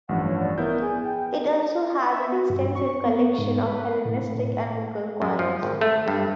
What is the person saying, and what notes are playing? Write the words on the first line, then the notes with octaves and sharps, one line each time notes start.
It also has an extensive collection of Hellenistic and Mughal coins.
A1 G2 F3 F#5
C#5
D5
B3 E4 A#4 G6
B3 G#4
G5
E5
F#4
G2
C#6
B3
G#2
B4
A2
A2
F#2
F3
G#1
A3
G2